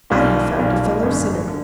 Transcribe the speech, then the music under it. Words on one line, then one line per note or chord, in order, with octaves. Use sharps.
"I have found a fellow-sinner."
B1 A#2 G3 A#3
B1 A#2 G3 A#3
G#1 F#2 D3
D3